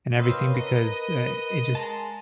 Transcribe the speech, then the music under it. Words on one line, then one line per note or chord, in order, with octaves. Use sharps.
and everything because, uh, it just
C4 A#4 B4 C#5 D#5 F5
B4 D#5 A#5
G#3 A5 A#5